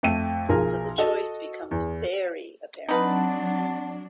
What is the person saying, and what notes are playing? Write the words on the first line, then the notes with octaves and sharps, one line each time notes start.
So the choice becomes very apparent.
F2 A3 D#7
B1 F3 G#4 A#4
F#4 A4 D#5
E2
F#3 C4 D4 D#4 B4 F#5 A5